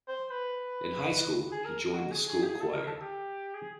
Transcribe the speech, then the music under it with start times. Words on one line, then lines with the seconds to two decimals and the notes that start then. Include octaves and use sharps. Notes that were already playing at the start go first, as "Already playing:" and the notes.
In high school, he joined the school choir.
0.08 C5
0.30 B4
1.52 G#4
1.65 A#4
1.93 F#4
2.11 G#4
2.29 G#4
2.42 G4
2.46 G#4
2.61 A4
2.74 A#4
2.87 A4
3.01 G4
3.54 G#4